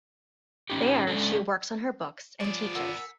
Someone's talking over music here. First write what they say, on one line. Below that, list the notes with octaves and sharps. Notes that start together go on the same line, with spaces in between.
There she works on her books and teaches.
A2 C#4 D#4 G4
G#3 C#4 D4 A4
F3 B3 G#4 C#5 D5
A#4 F#5 G#5 E6